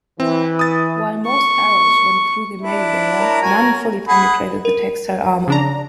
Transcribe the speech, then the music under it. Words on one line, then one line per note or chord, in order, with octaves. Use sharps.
While most arrows went through the mail layer, none fully penetrated the textile armour.
E3 C4
D#6 A6
C#6
D4 E4
A#4 C#5 A#5
F#4 G#5
G#4 B4 F#5 G#6
A#4
C#3 D4 A#5